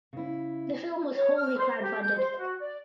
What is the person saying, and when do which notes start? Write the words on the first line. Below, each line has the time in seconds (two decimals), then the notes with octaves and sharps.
The film was wholly crowdfunded.
0.13 C#3 E4
1.15 C#5
1.36 F6
1.58 C5
1.82 G4
2.02 G6
2.16 C5
2.38 F#4
2.60 D5